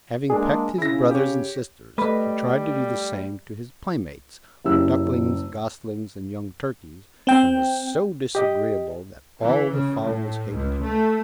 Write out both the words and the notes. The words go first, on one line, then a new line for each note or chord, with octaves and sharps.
Having pecked his brothers and sisters, he tried to do the same to his playmates, the ducklings, goslings, and young turkeys, and was so disagreeable that all the fowls hated him.
G#3 A#3 D4 G#4
C#3 E4 A#6
G4 C#5
G3 A3 B4 D#5
F#1 C#3 E4 G4 E6
C4 G5
G4 D#5
E3
C#3
A2
C#2
A3